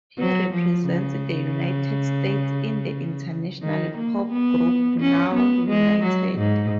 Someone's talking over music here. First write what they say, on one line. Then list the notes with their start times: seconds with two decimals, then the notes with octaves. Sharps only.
He represents the United States in the international pop group Now United.
0.18 F#3
0.53 F3
0.87 C#3
3.63 D#3
3.97 A#3
4.32 B3
5.00 C#4
5.35 B3
5.69 G#3
6.03 F#3
6.38 G#2